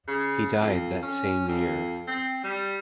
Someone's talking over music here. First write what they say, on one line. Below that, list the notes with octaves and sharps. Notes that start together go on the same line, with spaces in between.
He died that same year.
C#3
F2
C#4
F2
C4
G3